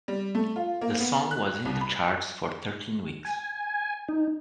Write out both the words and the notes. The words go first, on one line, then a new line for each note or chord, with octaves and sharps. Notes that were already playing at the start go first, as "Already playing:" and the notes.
The song was in the charts for thirteen weeks.
G3
A3
F4
A#3
B3
F#6
C2
B5
G#5
D#4